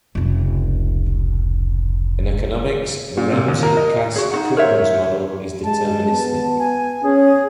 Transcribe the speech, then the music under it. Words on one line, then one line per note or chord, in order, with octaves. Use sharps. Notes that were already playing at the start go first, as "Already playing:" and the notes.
In economics, the Ramsey-Cass-Koopmans model is deterministic.
F1 C#2
A#2
C3
D#2
A#4
D#5
F#4 G#4
D#4 F#4 F#5
A#4 C5 C#5 E5
G#3 A5
B3
G#5
C#4 G#4